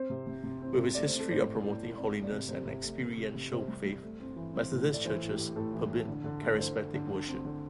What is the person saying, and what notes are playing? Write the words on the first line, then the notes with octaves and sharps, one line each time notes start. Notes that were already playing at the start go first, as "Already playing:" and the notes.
With its history of promoting holiness and experiential faith, Methodist Churches permit charismatic worship.
Already playing: C4 C5
C3
C3
C3
C4
C3
A3 D5
C5
C4
A4
A2 C5
A2
A2
A2
C4 D5
A3
D5
C3
C3 C5
C3
A3
C3
C3
C3
C3 C5
G3
G3
A3
C4
E3
C4
A2
A3
D5
E3 C5
A2
G4
A2
A2 A4
E3
A2
D3
D3
A3
D3 C5
D3
D3
D3
C4
D3